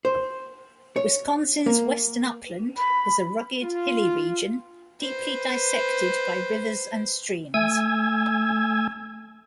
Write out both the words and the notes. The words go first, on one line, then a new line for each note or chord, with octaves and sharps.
Wisconsin's Western Upland is a rugged, hilly region deeply dissected by rivers and streams.
C5
C#5
A#3
B5
F4
B4 C5
A3 G#5 E6 G#6